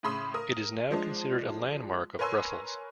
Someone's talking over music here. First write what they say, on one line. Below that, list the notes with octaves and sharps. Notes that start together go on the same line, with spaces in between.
It is now considered a landmark of Brussels.
A2 C#3 B5 C6 D#6
A#4 D#6
F3 G#3 D4
A#4 B4 C#5 G#5 C6 E6